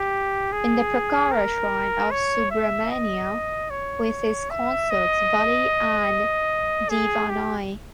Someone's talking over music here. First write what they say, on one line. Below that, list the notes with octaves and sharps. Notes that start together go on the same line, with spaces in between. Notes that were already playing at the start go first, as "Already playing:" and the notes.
In the prakara shrine of Subramania with his consorts Valli and Deivanai.
Already playing: G4
G#4
A#4
C#5
E5
D#5
C#5
E5
D#5
G#4
G4